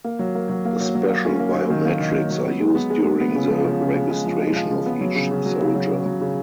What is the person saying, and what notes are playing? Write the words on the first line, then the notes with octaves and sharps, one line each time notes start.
Special biometrics are used during the registration of each soldier.
A#3
F#3
A#3
F#3
A#3
F#3
F#3
A#3
C#4
A#3
F#3
D#3
A#3
D#3
F#3
F#3
B3
G#3
B3
G#3
G#3
B3
C#3
F3
C#3
C#3
C#3
G#3
F3
G#3
F3
C#3
B3
F#3
C#3
C#3
F#3
C#3
F#3
C#3
F#3
C#3